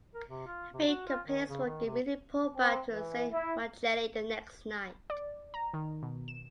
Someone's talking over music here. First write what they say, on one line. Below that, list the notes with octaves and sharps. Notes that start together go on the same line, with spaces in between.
The three companies were immediately pulled back to San Micheli the next night.
A#4
C3
F4
C3
F#4
F4
D#3
C#3
D#3
C3
C4
E3
E4
D5
A#5
D#3
B2
E7